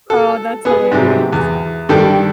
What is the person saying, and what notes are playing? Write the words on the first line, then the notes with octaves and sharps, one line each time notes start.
Oh, that's hilarious.
A4
B3 G#4
G#2 C3 F#3 G4
E2
G2 D#3 G3 A4 G5